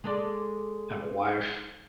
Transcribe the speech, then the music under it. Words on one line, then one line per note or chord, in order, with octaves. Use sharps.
I have a wife,
G#3 A4 D5